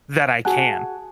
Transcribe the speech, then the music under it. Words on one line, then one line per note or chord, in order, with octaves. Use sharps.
that I can."
F#4 G#4 F#5 G#5 A5 F#6